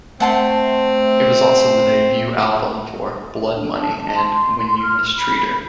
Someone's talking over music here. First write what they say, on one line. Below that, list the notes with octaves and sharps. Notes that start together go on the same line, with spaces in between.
It was also the debut album for "Blood Money" and "When You Mistreat Her".
A3 C4 F#5 A5 C6
D4
A5
C6
F6
B5